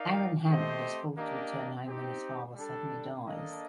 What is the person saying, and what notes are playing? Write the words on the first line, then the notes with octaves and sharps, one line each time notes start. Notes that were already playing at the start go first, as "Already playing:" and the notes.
Aaron Hammond is forced to return home when his father suddenly dies.
Already playing: D#4 A#4 D5 F5
A3 C4 G4 C5 D#5
A#3 D4 G4 A#4 D#5
C4 D#4 G4 C5
G3 D4 A4
A#3 D4 A4 D#5